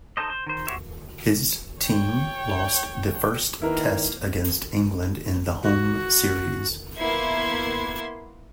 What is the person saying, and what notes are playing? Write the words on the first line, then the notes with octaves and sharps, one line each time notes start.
His team lost the first test against England in the home series.
D#4 A4 C5 D#5
C5
D#3 C5
F#4 G4 C5 C#5 E5
C#5 G5
D#3 A#3 E4 A#4 B4
F#4
A#3 B3 E4 C6 G#6